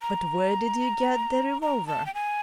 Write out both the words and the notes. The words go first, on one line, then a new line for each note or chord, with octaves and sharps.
But where did you get the revolver?
A#5
A#5
A5
G5
G#5